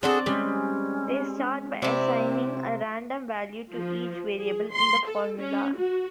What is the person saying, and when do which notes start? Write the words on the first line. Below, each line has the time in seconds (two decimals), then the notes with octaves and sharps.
They start by assigning a random value to each variable in the formula.
0.03 C4 D4 F#4 G#4 A4 D5
0.26 G3 G#3 C#4
1.82 C3 C4 E4 D5
3.74 F3
4.39 G#4
4.72 C6
5.07 A4
5.39 C#4
5.77 F#4